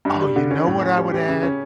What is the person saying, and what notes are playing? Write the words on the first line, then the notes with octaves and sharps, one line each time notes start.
Oh, you know what I would add?
G2
G3
D3
C#4
A2
C#4
G3
G4
C#3
C#4